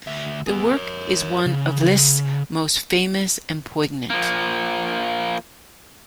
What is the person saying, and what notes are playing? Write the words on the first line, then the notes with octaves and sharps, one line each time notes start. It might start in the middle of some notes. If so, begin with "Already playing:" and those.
The work is one of Liszt's most famous and poignant.
D2 E5
B3 G#4
A#4 C#5
C#3
F3 A#3